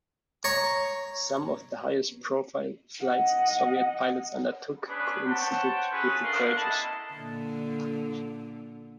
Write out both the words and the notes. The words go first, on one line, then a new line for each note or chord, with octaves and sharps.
Some of the highest-profile flights Soviet pilots undertook coincided with the purges.
C#5 A#5 C#6
D#5 F#5
B3 C#4 D4 G#4 B4
C5 C#5 F#5 G5 A5
C#4 F#4 G#4 A4 B4
A3 D4 A#4 F5 F#5 C6
B3 E4 D#5 A5
A#2 D3